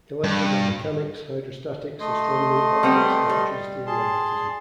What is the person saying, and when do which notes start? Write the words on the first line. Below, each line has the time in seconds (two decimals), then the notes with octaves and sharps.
He lectured on mechanics, hydrostatics, astronomy, optics, electricity and magnetism.
0.24 G2
2.00 A3 D#5 C6
2.83 G3 B3 C4
3.29 G3
3.87 G#4 A5 C6